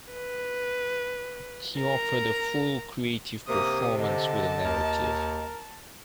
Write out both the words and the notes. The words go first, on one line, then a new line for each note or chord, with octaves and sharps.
He offered a full, creative performance with a narrative.
B4
A#4 A#5
C3 A#3 D#6
D3 D#5 A5
D#2 A#4